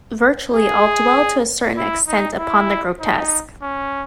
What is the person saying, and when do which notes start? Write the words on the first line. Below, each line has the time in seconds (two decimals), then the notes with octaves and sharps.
Virtually all dwell to a certain extent upon the grotesque.
0.54 G#4
1.77 E4
2.08 D#4
2.39 E4
3.00 D#4
3.62 C#4